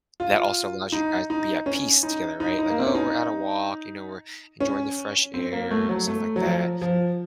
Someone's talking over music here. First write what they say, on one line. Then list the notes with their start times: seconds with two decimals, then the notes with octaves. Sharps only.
That also allows you guys to be at peace together, right, like, "Oh, we're at a walk." You know, "We're enjoying the fresh air," stuff like that.
0.20 F4
0.92 D#4
1.30 D#4
1.66 C#4
2.03 D#4
2.40 D#4
2.59 D#4
2.70 A#3
2.79 C4
2.86 C#4
2.95 D#4
4.60 C#4
5.34 C4
5.52 A#3
5.71 A3
5.89 F#3
6.07 A3
6.36 F#3
6.45 F3
6.81 F3